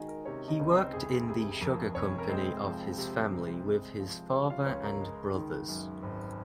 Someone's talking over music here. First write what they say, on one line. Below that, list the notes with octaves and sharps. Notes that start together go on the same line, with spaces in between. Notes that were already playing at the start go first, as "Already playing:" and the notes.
He worked in the sugar company of his family with his father and brothers.
Already playing: D#3 G#3 D#4 F#4 G#4 D#5 G#5
A#4
C3 C#4 C#5
D#4 D#5
C#2
C4 C5
F1 G#4
C3 G#4
F2 A#4
F1 C#4 C#5
A#4
G#3 C4 C5
F3
C3
C2
G#3
F3
C3 C#4 C#5
F4 F5
C#2 C#4 C#5
A#4 A#5
G#3
D#3
F#2
G#1